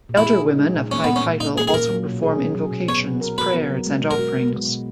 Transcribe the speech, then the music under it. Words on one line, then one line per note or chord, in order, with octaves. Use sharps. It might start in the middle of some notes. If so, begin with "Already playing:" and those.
Elder women of high title also perform invocations, prayers, and offerings.
A#2
E4
G#4
D#4
G#3
A#2
A#3 C#4
A#2 B3
C#4
A#2
C#4 D#4
A#3 G#4
G#4
A#2 A#4
F#3
B2
G#4
C#4
F#3
B2
B3 C#5
F#3
A#4
F#4 B4
B3
F#3
G#3
B2
A#4
F#4
B3
G#3
B2